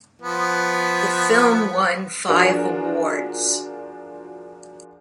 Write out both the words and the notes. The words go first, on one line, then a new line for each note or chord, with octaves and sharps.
The film won five awards.
F3 B3
F3 D4 F4 F#4 G#4 A#4